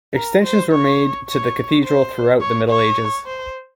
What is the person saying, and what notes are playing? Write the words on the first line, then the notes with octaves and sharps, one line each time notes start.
Extensions were made to the cathedral throughout the Middle Ages.
A#4
C5
C#5
C#5
C5
C#5
C#5
C5